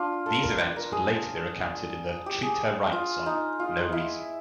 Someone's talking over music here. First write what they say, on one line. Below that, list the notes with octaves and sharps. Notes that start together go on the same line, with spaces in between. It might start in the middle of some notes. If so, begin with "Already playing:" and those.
These events would later be recounted in the Treat Her Right song No Reason.
Already playing: D4 F4
A4
A#4
B4
A#4
G#4
G4
G#4
F4
D#4
F4
E4